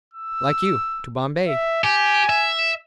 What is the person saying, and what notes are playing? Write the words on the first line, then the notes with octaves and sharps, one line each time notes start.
"Like you, to Bombay."
E6
E5
G4 G#5
E5